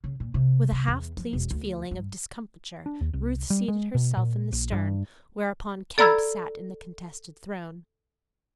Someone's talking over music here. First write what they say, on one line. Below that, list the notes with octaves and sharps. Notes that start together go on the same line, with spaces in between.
With a half-pleased feeling of discomfiture Ruth seated herself in the stern, whereupon Kemp sat in the contested throne.
C#3
A#2
C3
C3
E2
F3
E1
D2
G2
D4
D#2
C2
G3
G#3
B2
A#2
A#1
G2
A4 D5 A#5 B5 E6 G#6